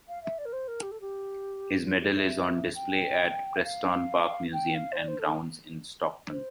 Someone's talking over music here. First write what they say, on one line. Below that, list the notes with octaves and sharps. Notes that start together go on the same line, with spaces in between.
His medal is on display at Preston Park Museum and Grounds in Stockton.
F5
E5
D5
A#4
C5
A#4
G4
A4
G4
F4
G4
E5
G5
E5
F5
G5
F5
C5
D5
C5
A4
C5